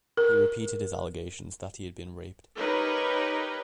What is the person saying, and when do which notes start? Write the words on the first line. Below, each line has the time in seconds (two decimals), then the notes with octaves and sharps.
He repeated his allegation that he had been raped.
0.17 A#4
2.57 D#4 G4 A#4 B4 C#5